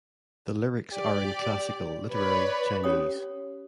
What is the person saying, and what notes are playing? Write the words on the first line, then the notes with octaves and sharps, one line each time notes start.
The lyrics are in classical literary Chinese.
G4 D5
B4 C#5 D5 B5
C#4 G4 C#5 G5 D#6